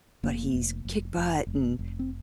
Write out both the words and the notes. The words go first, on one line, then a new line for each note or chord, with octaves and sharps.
but he's kick butt and,
F1 A#3
F1
F1
F1
F1
F1
C4